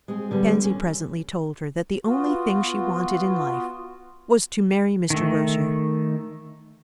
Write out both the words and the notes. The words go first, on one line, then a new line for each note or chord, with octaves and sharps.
Pansy presently told her that the only thing she wanted in life was to marry Mr. Rosier.
G#3 C4 G#4
D3 G3 B3
D3 C#4
B3 F4 F#4
D#3 A3